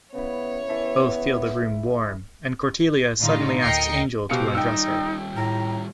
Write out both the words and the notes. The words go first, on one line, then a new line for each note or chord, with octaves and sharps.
Both feel the room warm, and Cordelia suddenly asks Angel to undress her.
C#3 B3 E4 C#5
E3 B3 E5 A5
A2 D3 G3 D#4 F4
D2 A#4 D#5 G5 C7 C#7
B2 G4 C5 F5 G5 C#7
D#3 G3 D#4 G5 E6
A2 A#5